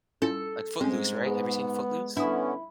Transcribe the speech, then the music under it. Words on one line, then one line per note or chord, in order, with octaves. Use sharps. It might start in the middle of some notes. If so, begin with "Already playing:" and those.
Like, Footloose, right? Have you seen Footloose?
C#4 E4 F4 A4
G#2 G#3 C4 C#4
B3 G#4
D3 B3 C#4 D4 E4 D#6